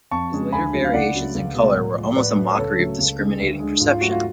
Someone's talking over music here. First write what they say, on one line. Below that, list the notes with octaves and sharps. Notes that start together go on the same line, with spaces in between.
His later variations in color were almost a mockery of discriminating perception.
F2 A5 C#6
C#3 G#3
D2 G#5 B5
C#3 F#3 A3
F5
C#2 D5 F#5
C#3 F#3 A3
C#2
B2 G#3
A2
F3 G#3
A2 B4 D5
F#3 A3
B4
C#2 A4 C#5
C#3 F#3 A3
C#2
C#3 G#3
D2
D3 G#3
G#2 F4
F4
F#3 A3 F#4
F4